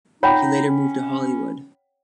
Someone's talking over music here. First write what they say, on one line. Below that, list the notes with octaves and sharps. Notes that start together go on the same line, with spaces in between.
He later moved to Hollywood.
D#4 C#5 F#5 G5 B5
C#4